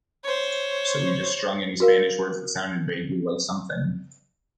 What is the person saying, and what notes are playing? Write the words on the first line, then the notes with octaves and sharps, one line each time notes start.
So we just strung any Spanish words that sounded vaguely like something.
C5 C#5
F#4 A#4 F5